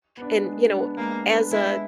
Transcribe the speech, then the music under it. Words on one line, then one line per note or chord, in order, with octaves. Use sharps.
and, you know, as, uh,
B3 D4
G#3
B3 D4
G#3 A#3
B3 D4
G#3 E4